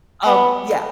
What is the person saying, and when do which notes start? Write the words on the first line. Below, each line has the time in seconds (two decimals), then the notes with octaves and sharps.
um Yeah,
0.26 B3